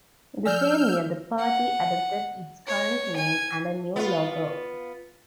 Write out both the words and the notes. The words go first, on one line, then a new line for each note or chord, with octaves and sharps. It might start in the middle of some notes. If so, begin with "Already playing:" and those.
In the same year, the party adopted its current name and a new logo.
F3 D5 G#5 E6 F6 G6
F#5
C#5
G#5
B3 F4